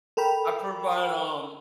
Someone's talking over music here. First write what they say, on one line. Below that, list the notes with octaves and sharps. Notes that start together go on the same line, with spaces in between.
I provide, um,
A4 A#4 G5 B5